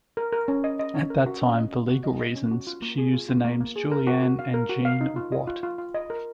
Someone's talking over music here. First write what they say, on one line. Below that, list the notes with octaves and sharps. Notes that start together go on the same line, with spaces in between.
At that time, for legal reasons, she used the names Juliann and Jean Watt.
A#4
A#4
C#4
D#5
D#5
C#4
A#4
F#4
C#4
D#5
D#5
F#4
D#5
D#5
C#4
F#4
F4
A#3
G#4
F4
F4
A#3
A#3
G#4
A#4
F#4
F#4
F5
A#4
F#4
F5
D#4
F4
D#5
F4
F4
F4
D#5
A#4